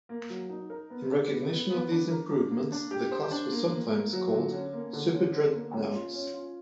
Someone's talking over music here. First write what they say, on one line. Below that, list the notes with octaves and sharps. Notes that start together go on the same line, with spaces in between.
In recognition of these improvements, the class was sometimes called "super-dreadnoughts".
A#3
F#3
D#4
A#4
B3
D4
B3
B3
B3
D4
A#4
D4
A#3
D4
G4
C5
D4
A#3
A#3
A#3
F#3
D3
C#4
A#3
D3
C#4
D3
A#3
C#4
F4
C#4
F4